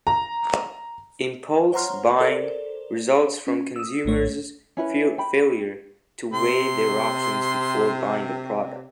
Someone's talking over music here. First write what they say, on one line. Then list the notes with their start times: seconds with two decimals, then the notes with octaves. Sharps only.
Impulse buying results from consumers' failure to weigh their options before buying a product.
0.07 A#5
1.72 C5 C#5 F#5 A#5 C6 F6
2.20 A4 A#4 C5 D5
3.47 C#4
3.76 D#6 E6
4.05 A#1 A2 A3 C#5
4.77 C#4 E4 B4
5.18 G5 B5
6.32 C3 C6